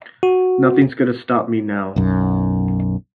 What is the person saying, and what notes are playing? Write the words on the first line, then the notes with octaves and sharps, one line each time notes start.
Nothing's gonna stop me now.
F#4
B1 F#2